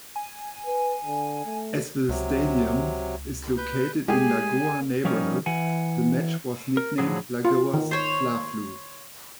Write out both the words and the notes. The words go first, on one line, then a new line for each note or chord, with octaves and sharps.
As the stadium is located in Lagoa neighborhood, the match was nicknamed "Lagoa's Fla-Flu".
G#5
B4
D3
A3
C#2 C3 F#3
B4 G6
G#3 G4 G#4 G#5
F3 G3 C#4 D#4 A#4
E3 F#5 G#5
A#4
A2 D3 F3 F#3 G#4
F4
D#3
C5 C#5